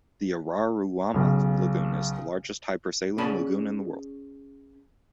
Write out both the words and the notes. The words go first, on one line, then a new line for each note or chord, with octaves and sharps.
The Araruama lagoon is the largest hypersaline lagoon in the world.
B1 C#3
C#4 G#4 D5 A5 B5